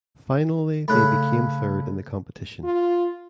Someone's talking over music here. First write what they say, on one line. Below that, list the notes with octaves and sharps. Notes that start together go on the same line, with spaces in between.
Finally they became third in the competition.
C#3 A3 B5 F#6
F4